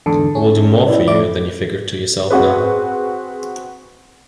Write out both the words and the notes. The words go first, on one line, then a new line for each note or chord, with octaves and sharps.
I will do more for you than you figure to yourself now.
E2 G#2 D3 A5
C#4
E4 D5
A2 E4 D5 D6
C4 F#4 G#4 B4